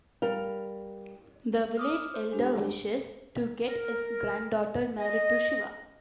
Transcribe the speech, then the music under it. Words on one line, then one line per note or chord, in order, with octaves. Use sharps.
The village elder wishes to get his granddaughter married to Siva.
G3 A#4 F5
D6 D#6 F6
C5
G#3 D4 G4
A#4
D#5